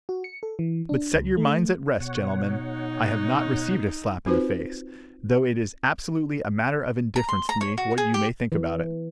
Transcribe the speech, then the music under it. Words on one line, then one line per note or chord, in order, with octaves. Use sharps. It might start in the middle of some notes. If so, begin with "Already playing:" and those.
But set your minds at rest, gentlemen, I have not received a slap in the face, though it is absolutely a matter of indifference to me what you may think about it.
F#4
C#7
A4
E3
D4
C#2
A3
B2 C#5 F#5
D#4
C4 D#4 F4 F#4 B4 C5
A#5
C6
A#5
C#5
F#4
G#4
G4
E3